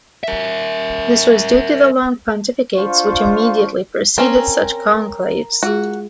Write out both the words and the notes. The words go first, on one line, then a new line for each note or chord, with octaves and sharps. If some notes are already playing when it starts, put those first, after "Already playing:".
This was due to the long pontificates which immediately preceded such conclaves.
A#4 E5
D4 F4 C5 F5 C#6
C4 C#4 A#4 A#5
G#3 F4 F#4 G#4